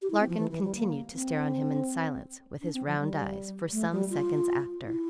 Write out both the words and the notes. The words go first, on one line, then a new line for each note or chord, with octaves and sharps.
Larkin continued to stare on him in silence, with his round eyes, for some seconds after.
G4
E4
C4
F3
E3
E3
G3
A#3
C4
D4
C4
F3
G3
A3
G3
F4
E4